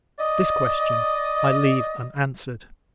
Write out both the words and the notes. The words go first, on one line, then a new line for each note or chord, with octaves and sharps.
This question I leave unanswered.
D5 D#5